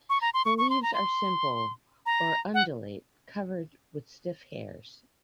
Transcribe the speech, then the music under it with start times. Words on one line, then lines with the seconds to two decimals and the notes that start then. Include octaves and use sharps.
The leaves are simple or undulate, covered with stiff hairs.
0.10 C#6
0.21 A#5
0.34 C6
0.45 C#6
0.58 C#6
0.70 C6
0.83 A#5
0.94 C6
2.06 A#5
2.54 F#5